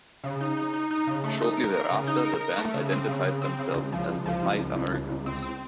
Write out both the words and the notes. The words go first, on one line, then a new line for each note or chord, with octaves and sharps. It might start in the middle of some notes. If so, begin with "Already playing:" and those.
Shortly thereafter, the band identified themselves as the Five Americans.
C#3
D#4
D#4
D#4
D#4
C#3
A3
D#4
A#4
A#4
C#3
D#4
A#4
A#4
A3
C#3
C4
C#3
C#3
C4
C#3
C#2
F3
C#2
F3
C#2
C#2
C#2
C#2
C#2
C4
C4